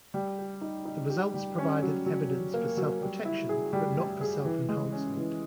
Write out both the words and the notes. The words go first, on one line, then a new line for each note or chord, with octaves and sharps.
The results provided evidence for self-protection but not for self-enhancement.
G3
G4
D#4
D#4
G4
G3
C#4
F#3
F#3
F#3
A#3
F#3
G3
E4
G#4
G3
G3
G#4
E3
G#3
C#4
E3